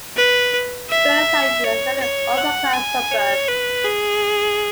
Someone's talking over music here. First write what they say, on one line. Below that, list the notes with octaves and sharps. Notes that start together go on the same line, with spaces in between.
Burnside is a fairly upper class suburb.
B4
E5
C#5
C#5
F#5
G#5
C#5
B4
G#4